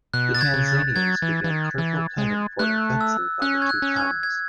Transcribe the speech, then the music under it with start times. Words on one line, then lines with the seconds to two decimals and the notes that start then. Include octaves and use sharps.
The Tanzanians began careful planning for an offensive on the two towns.
0.14 B2 F#6
0.35 A6
0.41 G#6
0.54 C#3
0.68 A6
0.96 F#3 G#6
1.22 E3
1.44 E3
1.50 D#3
1.78 E3
2.18 G#3
2.59 A3 F#6
3.01 E6
3.42 C#4 F#6
3.62 G#6
3.69 F#6
3.82 C#4
3.96 G#6
4.23 G#6